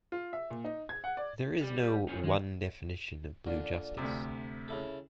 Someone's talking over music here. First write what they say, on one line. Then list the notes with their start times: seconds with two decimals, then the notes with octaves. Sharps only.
There is no one definition of Blue Justice.
0.12 F4
0.33 E5
0.50 A#2
0.64 D#4
0.89 G#6
1.04 F#5
1.17 D5
1.61 G3
2.09 F3 C#4
2.24 D#3 G#3 D#4
3.47 A#2 D3
3.98 D2 C3
4.68 C#3 E4 A4